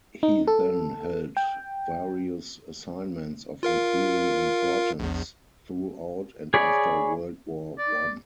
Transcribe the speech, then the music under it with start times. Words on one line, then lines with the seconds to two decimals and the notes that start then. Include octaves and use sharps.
He then held various assignments of increasing importance throughout and after World War One.
0.23 D#4
0.48 A4
1.37 G5
3.63 F4 A#4 F5
5.00 A#1 E2
6.54 G#4 C#5 D5 B5
7.79 D5